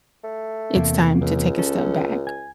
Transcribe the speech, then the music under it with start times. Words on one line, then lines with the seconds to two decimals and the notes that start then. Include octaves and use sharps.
it's time to take a step back?
0.24 A3
0.76 E2 C3 A#3
1.21 C#2
1.58 C#4 A4
2.27 G#5